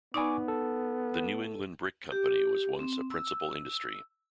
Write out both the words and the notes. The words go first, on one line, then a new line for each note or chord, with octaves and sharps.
The New England Brick Company was once a principal industry.
B3 D#4 D5 G#5 B5 C#6 D6
A4
G4
C4
E6